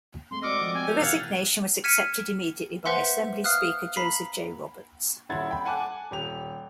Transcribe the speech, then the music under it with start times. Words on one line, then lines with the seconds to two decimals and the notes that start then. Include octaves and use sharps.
The resignation was accepted immediately by Assembly Speaker Joseph J. Roberts.
0.31 G#3 A3 C4 C6
0.43 C4 F#4 D5 D#5 D6 E6 F6 C#7
0.61 F3
0.74 C4 G#5
0.88 G4 A#4 G6 F7
1.01 B2 E3 F5 F#5 G#6 A6
1.84 F6 G#6 B6 C#7 D#7 E7
2.85 B4 C5 E5 F#5 C6
3.44 F5 D#6 F6 F#6
3.96 A#5 B5 B6 C7
5.29 D#1 E4 F#5 C6 G#6 A6
5.51 G5 B5
5.65 F#5 G#5 A5 D6 F#6
6.11 D#1 G4 F7